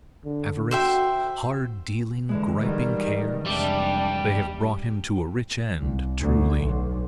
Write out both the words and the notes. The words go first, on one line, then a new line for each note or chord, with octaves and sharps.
Avarice, hard-dealing, griping cares? They have brought him to a rich end, truly!
D3
F#4 C5 E5 G5
D3 E3 G#3
G#2 D#3 G3
F1 G3 D4 E5 D6
C2
D2
B1